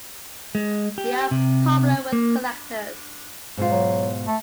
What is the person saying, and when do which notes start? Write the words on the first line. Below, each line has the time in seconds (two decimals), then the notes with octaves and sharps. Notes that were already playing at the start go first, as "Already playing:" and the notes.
They are popular with collectors.
0.55 G#3
0.98 G4
1.31 C3
2.12 A#3
3.57 G#2 B2 F4
3.70 F#3
4.27 A3